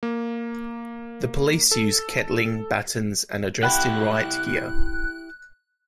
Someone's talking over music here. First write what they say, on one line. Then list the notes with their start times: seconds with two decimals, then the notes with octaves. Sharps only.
The police use kettling, batons and are dressed in riot gear.
0.03 A#3
1.71 A4
3.63 E4 G4 F#5 G5 B5 F#6